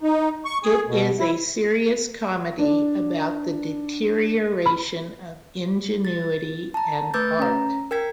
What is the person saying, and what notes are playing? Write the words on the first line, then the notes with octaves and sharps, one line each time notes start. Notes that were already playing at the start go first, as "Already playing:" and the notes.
It is a serious comedy about the deterioration of ingenuity and art.
D#4
C#6
G#4
B2
E4
D4 D5
B5
A6
A5 A#5
A3 B4 D6 E6 G6 A6
C#4 A#5
A#4 G5 G#6 B6